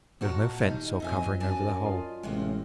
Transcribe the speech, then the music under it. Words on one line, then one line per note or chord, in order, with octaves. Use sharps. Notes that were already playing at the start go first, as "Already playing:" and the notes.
There was no fence or covering over the hole.
F2 A#2 F#4 A4 A5 A#5
D#3 G3 D#4
F2 F#3 D#5 E5 G#5
F#2 D5 G#5 A5
F4 D#5
A1 F#2 C3 G#3 A#3